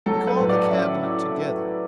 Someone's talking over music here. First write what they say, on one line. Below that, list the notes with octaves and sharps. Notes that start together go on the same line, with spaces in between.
He called the Cabinet together.
F#3 A4
B4
A2
D5
C#4 E5
E4